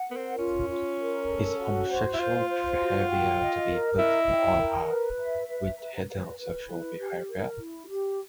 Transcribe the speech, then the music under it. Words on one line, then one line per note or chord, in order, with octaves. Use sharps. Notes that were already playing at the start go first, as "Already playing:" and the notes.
Is homosexual behaviour to be put on a par with heterosexual behaviour?
Already playing: F#5
B3 A#4
C4
C#4 F4
F4
A#4
A4
F#4
C5
E4
F4 C5
C5
F#4
G5
D#5
A#4
E4 D#5
G5
A#4
B4
E5
B4
B4
B4
B4
E4
G4
A#4
E4
G4